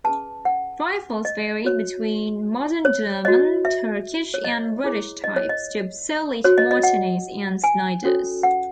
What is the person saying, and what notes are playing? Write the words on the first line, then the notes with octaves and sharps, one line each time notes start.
Rifles varied between modern German, Turkish and British types, to obsolete Martinis and Snyders.
C#4 G#4 B4 A5
F#5
D#5
F#4 C#5
C#5
F#4 C#5 D#5
E5
C#5
D#5
E4 G#4 C#5
D#5
C#5
D#5
F#4 C#5
D#5
D#5
F#5
G#5
C#4 F#4 A4 C#5
F#5